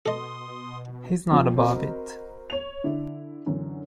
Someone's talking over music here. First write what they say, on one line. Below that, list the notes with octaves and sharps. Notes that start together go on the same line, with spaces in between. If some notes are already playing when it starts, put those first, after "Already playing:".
He's not above it.
B2 A4 D#5 C6 D#6
F2 F3
C4 F#4 A#4 D#5 B5
C#5 F7
D3 D4 E4
F#2 D3 E3